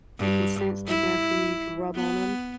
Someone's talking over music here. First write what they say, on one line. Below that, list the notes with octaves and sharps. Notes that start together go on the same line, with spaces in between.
They can sense they're there for you; you can rub on 'em,
G2
E4
B3